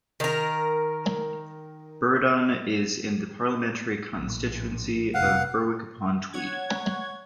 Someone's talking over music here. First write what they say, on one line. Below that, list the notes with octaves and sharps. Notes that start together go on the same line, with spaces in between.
Burradon is in the parliamentary constituency of Berwick-upon-Tweed.
D#3 A#4
A#1 A2
F1 F2 F5 F#5
C#5 F#5 G#6